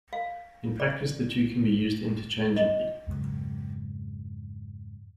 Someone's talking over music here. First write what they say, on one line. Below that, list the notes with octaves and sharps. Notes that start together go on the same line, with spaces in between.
In practice the two can be used interchangeably.
F5
D5
D#5
F2 G#2 C#3 F#3